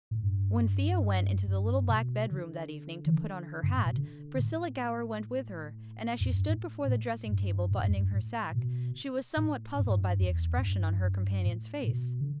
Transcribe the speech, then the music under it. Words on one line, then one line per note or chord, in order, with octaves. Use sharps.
When Theo went into the little back bedroom that evening to put on her hat, Priscilla Gower went with her, and, as she stood before the dressing-table buttoning her sacque, she was somewhat puzzled by the expression on her companion's face.
A2
G2
G2
B2
D3
E3
D3
G2
A2
B2
D3
A2
E2
G2
A2
A2
G2
A2
G2
E2
G2
A2
B2
A2
G2
A2
G2
E2
A2
G2
G2
A2
B2
D3